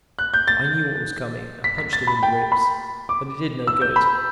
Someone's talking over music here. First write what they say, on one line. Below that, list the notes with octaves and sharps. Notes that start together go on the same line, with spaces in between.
I knew what was coming and punched him in the ribs, but it did no good.
F#6
G6
A6
B6
B6
A6
B5
G5
B5
D6
E6
G6
B5